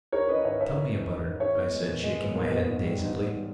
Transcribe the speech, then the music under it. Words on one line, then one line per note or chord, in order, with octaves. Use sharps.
"Tell me about it," I said, shaking my head dazedly.
E4 A#4 C#5
C#4 B4 D#5
G#2 C#5 E5
G#2 C#5 E5
E4
C#4
G#2
G#2
E4 C#5 E5
B3
G#3
A#2
G#3
B3
A#2
B3
G#2
G3
G#2
G#2
G3